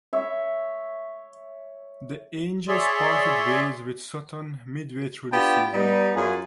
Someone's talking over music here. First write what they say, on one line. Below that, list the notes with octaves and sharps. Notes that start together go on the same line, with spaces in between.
The Angels parted ways with Sutton midway through the season.
C#5 E5
G#4 C#5 D5 E5 C6
B3 D4 F4 G4 G5 A5
G3 B3 D#4
F#2 F4 F#4 G#4